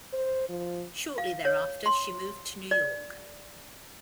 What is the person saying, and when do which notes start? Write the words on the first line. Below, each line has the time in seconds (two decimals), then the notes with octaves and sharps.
Shortly thereafter, she moved to New York.
0.13 C5
0.49 F3
1.18 F5
1.45 C#5
1.86 C6
2.71 D5